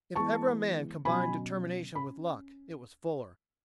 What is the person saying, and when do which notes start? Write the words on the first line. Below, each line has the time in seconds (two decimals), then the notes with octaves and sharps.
If ever a man combined determination with luck it was Fuller.
0.16 E3 G#3 B3 A5 C#6
1.05 B2 F#3 C#4 G#5 B5
1.95 C#4 B5